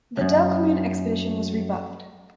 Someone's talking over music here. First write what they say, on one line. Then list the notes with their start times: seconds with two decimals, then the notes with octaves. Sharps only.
The Delcommune Expedition was rebuffed.
0.17 C#2 F#2